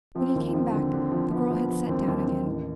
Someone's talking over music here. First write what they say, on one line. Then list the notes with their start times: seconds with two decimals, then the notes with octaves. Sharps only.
When he came back the girl had sat down again.
0.15 F3 C4
0.35 D#2
0.44 C4
0.54 F3
0.73 D3
0.93 D3
1.12 F3
1.31 F3 B3
1.50 F3
1.69 F3
1.88 D#2 C4
2.08 D#2
2.17 C4
2.27 D#2
2.46 A1